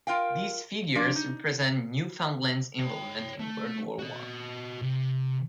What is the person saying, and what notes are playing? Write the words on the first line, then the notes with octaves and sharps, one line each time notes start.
These figures represent Newfoundland's involvement in World War One.
F4 A#4 F5 G5
F3 D4 D5
D#4
C#5 G5
A3
F#4 D#5
C3